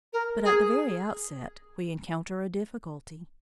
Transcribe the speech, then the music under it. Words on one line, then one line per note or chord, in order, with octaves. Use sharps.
But at the very outset we encounter a difficulty.
A#4
G#4